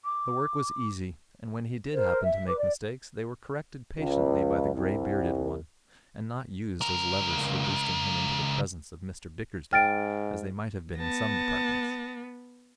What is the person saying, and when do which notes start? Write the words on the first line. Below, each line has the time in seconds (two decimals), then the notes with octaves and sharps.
The work was easy; and when he did happen to make mistakes, they were corrected patiently by the grey-bearded one, and not used as levers for boosting him into the presence of Mr Bickersdyke, as they might have been in some departments.
0.05 D6
1.93 A#4 C5
2.22 E5
2.47 B4 D6
2.59 D5
3.98 C#2
4.74 C2
6.81 C#2 A#4
9.73 G#2 G5 F6 A6 D7
10.99 B3 A5 A#6